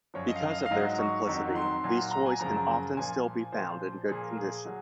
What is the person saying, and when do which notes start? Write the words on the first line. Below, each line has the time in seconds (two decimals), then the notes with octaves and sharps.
Because of their simplicity these toys can often still be found in good condition.
0.14 F#2 F3 C#5
0.28 D#5
0.36 F5
0.43 D#5
0.50 F5
0.58 D#5
0.66 F5
0.71 G#2 F#3 D#5
0.98 C#6
1.27 F2 D#3 F#3
1.55 C6
1.84 A#2 F#3
2.11 A#5
2.26 G#5
2.39 F#2 C#3 F3 A#5
2.97 A#2 F3 G#5
3.52 A#2 F3 C5
4.09 A#2 F3 G#4
4.23 A#4
4.37 G#4
4.65 F#3